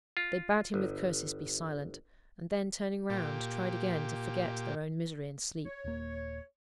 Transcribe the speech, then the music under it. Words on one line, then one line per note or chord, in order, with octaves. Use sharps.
They bade him with curses be silent; and then turning round, tried again to forget their own misery in sleep.
F4
G1
A#2 G4
C#5
D#1 A#3